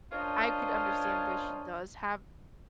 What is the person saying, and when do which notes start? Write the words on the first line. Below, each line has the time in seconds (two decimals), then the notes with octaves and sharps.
I could understand why she does have
0.12 C#4 D4 F4 A#4 C5 D#5